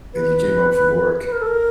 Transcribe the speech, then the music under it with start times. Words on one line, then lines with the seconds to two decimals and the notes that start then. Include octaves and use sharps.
and you came home from work,
0.14 B4
1.25 B4
1.32 A#4
1.40 A4
1.47 A#4